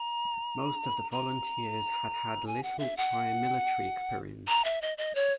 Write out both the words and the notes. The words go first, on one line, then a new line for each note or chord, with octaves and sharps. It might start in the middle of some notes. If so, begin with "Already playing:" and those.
Most of the volunteers had had little prior military experience.
Already playing: A#5
A#5
G#5
F#5
E5
F#5
A#5
E5
D#5
D#5
C#5